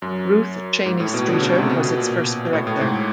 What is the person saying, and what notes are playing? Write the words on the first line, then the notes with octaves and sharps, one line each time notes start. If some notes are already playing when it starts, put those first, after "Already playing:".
Ruth Cheney Streeter was its first director.
F#2
G#2
A2
B2
D3
C#3
C3
B2
B2
A#2
A2
A2
G#2